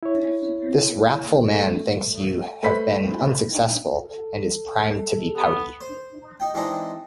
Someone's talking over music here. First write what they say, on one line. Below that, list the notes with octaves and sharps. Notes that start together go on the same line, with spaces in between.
This wrathful man thinks you have been unsuccessful, and is primed to be pouty.
E4 C#5
A3
A3 B4 C5 B5 B6
A4
B3
C5
D#4 G5
E3 G#3 C4 D4 D#4